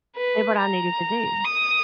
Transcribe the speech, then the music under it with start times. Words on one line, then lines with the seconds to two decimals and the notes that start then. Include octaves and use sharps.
did what I needed to do.
0.16 B4
0.60 A#5
1.45 D#6